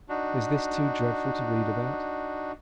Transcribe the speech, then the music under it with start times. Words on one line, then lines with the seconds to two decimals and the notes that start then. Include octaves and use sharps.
Is this too dreadful to read about?
0.09 D4 D#4 F#4